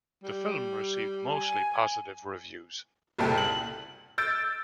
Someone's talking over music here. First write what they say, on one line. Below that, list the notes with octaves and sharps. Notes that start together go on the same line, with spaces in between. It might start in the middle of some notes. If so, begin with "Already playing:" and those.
The film received mostly positive reviews.
G3
G#5
F#1 C2 A#2 A4 G5
F#7
E6 G6 A6 D7